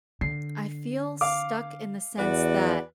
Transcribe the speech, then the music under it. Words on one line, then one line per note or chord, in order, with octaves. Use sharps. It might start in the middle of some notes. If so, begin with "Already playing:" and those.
I feel stuck in the sense that
D3 C7
F5 D6
E2 F#4 B4 D5